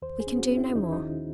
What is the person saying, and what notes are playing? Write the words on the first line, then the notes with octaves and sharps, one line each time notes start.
"We can do no more."
D#2 C5
G#4
C#4
F#4
C#4
E4
D#2 D#4
E4
D#4
D#3